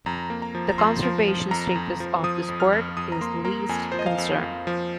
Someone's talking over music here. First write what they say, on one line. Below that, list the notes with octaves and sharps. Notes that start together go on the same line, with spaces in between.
The conservation status of this bird is Least Concern.
F2 A#5
A#3
A#5
F3
A#5
F2 C6
F3
F3
F2 A#5
F2
F3
F3 D#6
F2
F6
F2
F2 D#6
A#5
A#3 C6
A#3 A#5
F2 G#5
F3 C5
D#5
F5
F2
F2
F3